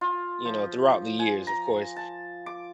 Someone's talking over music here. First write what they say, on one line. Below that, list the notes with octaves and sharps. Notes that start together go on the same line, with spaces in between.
you know, throughout the years, of course,
F4
F3
G#5
A#5
A5
D6